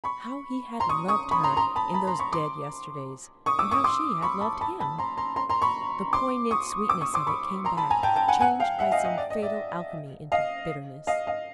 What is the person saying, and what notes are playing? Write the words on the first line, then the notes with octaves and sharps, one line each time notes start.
How he had loved her, in those dead yesterdays, and how she had loved him! The poignant sweetness of it came back, changed by some fatal alchemy into bitterness.
B5 C#6
A#5 C6
C#6 D#6
C#6 D#6
B5 C#6
A#5 C6
A#5 C6
A5 B5
A5 B5
A#5 C6
B5 C#6
C6 D6
C#6 D#6
D6 E6
C#6 D#6
C6 D6
B5 C#6
A5 B5
A5 B5
A5 B5
A#5 C6
A#5 C6
A#5 C6
A#5 C6
B5 C#6
C6 D6
C#6 D#6
D6 E6
C#6 D#6
C6 D6
B5 C#6
A#5 C6
A5 B5
G#5 A#5
G5 A5
G5 A5
F#5 G#5
F#5 G#5
F5 G5
E5 F#5
D#5 F5
D#5
D5
D#5
D5 E5
D#5 F5
D#5 F5
D#5 F5